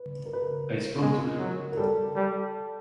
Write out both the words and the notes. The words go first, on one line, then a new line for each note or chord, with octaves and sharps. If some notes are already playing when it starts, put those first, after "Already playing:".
I spoke to him.
Already playing: B4
A#4
B4
A#4
G#3
F#3
A#4
G3 A4
G3